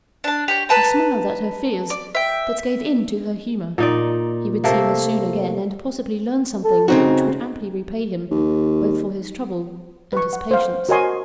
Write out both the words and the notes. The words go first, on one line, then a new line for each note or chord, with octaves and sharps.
He smiled at her fears, but gave in to her humour; he would see her soon again and possibly learn something which would amply repay him, both for his trouble and his patience.
D4 A5
G4 C#5
B4 A5 A#5
D5
E5 G5
A#2 D#4 D5
C3 A3 A#3
A4
C#3 C4 D#4 F#4
D#2
B4 C#6
F#5
C5 F5
F#4 A#4 C#5 D#5 G#5 C6